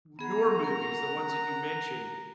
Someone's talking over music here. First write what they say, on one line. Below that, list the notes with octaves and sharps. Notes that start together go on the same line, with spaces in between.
your movies, the ones that you mentioned,
B3 G#4 F#5 A#5
A#4